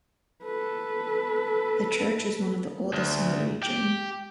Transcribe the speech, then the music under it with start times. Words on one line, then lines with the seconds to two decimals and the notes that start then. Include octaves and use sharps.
The church is one of the oldest in the region.
0.44 A4 B4
2.93 D2
3.63 G4